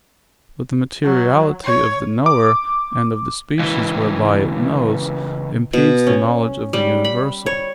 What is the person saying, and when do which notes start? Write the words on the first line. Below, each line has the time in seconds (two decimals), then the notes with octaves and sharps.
But the materiality of the knower, and of the species whereby it knows, impedes the knowledge of the universal.
1.04 F#3
1.64 C#5
2.26 D6
3.59 C#2 E3
5.73 B2
6.07 C#4
6.73 G3
7.04 B5
7.46 C#5